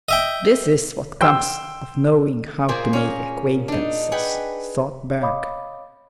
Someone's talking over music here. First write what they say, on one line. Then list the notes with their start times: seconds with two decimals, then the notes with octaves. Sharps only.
"This is what comes of knowing how to make acquaintances," thought Berg.
0.09 D#5 E5 G5
1.21 G5 C6 E6
2.69 A#2 A#3 G#4 C5
2.93 C#4 G#4 A#4
3.68 D4 D#4
4.12 G#4 B4 F#5 G5
5.22 C#5 D#5 F5 B5 D6 D#6